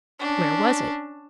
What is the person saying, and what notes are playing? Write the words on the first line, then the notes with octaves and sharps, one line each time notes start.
Where was it?
C#4 D4